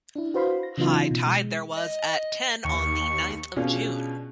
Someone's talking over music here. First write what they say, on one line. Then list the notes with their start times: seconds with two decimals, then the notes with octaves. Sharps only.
High tide there was at ten on the ninth of June.
0.16 D4 E4
0.34 F#4 B4 C5 F5 B5 C6
0.63 A#6
0.78 C#3 E3 F#3 B3 D#4 F4
1.11 B2
1.27 G#3
1.77 D#5
2.65 D#2 C#6
3.56 B2 C#4 D4 F4 G#4